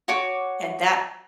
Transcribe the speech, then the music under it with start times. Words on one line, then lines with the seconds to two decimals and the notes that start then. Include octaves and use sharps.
And that
0.08 F#4 C#5 D6